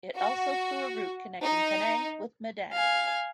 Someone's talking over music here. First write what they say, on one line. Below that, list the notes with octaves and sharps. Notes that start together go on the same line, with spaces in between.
It also flew a route connecting Penang with Medan.
F#4
D#4
F5 G#5